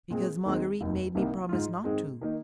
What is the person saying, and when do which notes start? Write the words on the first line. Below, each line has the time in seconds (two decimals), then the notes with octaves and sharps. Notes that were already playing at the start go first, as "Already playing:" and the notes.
"Because Marguerite made me promise not to."
0.10 A#2 G#3 C4 G#4
0.45 D#2 D#3 G#3 C4
0.81 F1 D#2 D#3
1.15 C2 C3 D#3 A#3 D#4
1.49 G#2 G#3 F4
1.84 G#2 D#3 G#3 C4 G#4
2.21 D#3 A#3 D#4